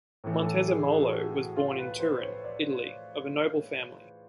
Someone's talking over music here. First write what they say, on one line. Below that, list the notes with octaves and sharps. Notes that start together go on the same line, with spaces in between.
Montezemolo was born in Turin, Italy of a noble family.
A2 E3 A3
A4
G#4
F#4
G4
F#4
F4
B4
B4
C5
C#5
D5